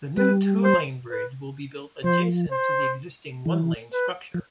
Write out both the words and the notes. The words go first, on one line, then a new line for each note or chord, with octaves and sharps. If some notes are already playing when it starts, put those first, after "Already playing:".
The new two-lane bridge will be built adjacent to the existing one-lane structure.
G3 B4
C5
B4
F3 C5
C5
E3
B4
F3